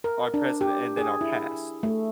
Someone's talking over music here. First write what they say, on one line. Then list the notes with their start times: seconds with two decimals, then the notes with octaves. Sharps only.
our present and then our past.
0.04 A#4
0.34 D4
0.61 G4
0.97 G#4
1.21 E4
1.83 A3